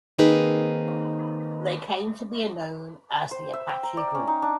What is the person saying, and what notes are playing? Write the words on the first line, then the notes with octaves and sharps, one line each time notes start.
They came to be known as the Apache Group.
D#3 A#3 C4 D#4 G#4 B4
C5
E5
G5
A#5
D5
C#4
D#4
D4